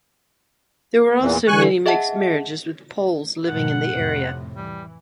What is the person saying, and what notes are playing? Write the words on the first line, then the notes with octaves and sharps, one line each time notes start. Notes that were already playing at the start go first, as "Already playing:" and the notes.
There were also many mixed marriages with Poles living in the area.
E2 A#2 E3
D3 E3 G#5 C#6 F#6
G#4 D#5 E5 F#5 A5
G#2 B2 F3 F#5
F2 A2 C3
E3 G3